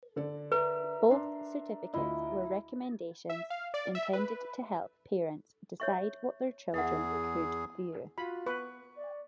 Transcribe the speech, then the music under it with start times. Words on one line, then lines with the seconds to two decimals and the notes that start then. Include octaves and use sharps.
Both certificates were recommendations intended to help parents decide what their children could view.
0.16 D3 A4 D5
0.52 A#4 B4 E5
1.11 D4 C6
1.94 D2 E4 F4 D#5
3.29 E5
3.50 F5
3.74 D5
3.95 E5
4.13 B4
5.80 C#5 E5 C#6
6.74 E2 G#4 E5 F#5
8.18 F4 F#4 B5
8.46 B3 B4 C#6
8.97 D5